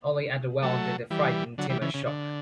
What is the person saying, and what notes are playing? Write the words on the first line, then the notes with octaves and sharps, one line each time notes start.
Only at the well did the frightened Timur stop.
F#3 A3
E3 G3
D3 F#3
E3 G3
C#3 E3
C#3
D3